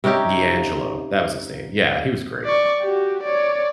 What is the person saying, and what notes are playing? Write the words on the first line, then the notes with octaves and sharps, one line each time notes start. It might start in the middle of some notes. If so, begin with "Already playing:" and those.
D'Angelo, that was his name, yeah, he was great.
C3 C#4 D#4 G4
D5 C#6
F#4 G4
C#5 D5